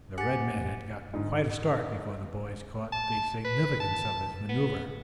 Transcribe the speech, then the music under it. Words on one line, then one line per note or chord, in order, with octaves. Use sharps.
The red man had gotten quite a start before the boys caught the significance of his manoeuvre.
G4 F#5 G#5 A6
G#2 D3
A5
B4
A5
B3